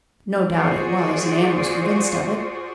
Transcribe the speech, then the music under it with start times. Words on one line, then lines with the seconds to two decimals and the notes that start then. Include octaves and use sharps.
No doubt it was, and Anne was convinced of it.
0.51 F4 F#4 G#4 C5 D5